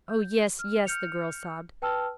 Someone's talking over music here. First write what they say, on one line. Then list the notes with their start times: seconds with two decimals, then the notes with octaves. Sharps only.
"Oh, yes, yes," the girl sobbed.
0.10 G6
0.59 F6
0.85 F6 G6 C#7 F7
1.82 B4 G5 A5 E6 F6